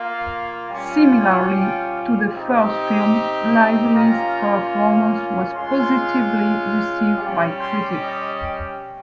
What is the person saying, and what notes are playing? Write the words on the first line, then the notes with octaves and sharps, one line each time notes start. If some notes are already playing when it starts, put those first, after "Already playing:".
Similarly to the first film, Lively's performance was positively received by critics.
Already playing: A#3 F4 F5
G3 C#4 F4
G5
C4 D#4 G4
A#3 C#4 F4 A#5
G#3 C#4 F4 C6
G3 C#4 G4
C6
D#5